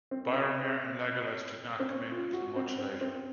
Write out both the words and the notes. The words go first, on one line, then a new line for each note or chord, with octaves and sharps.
Boromir and Legolas did not come in until much later.
C4
C4
C4
C#4
F4
F#4
C4
C4
C4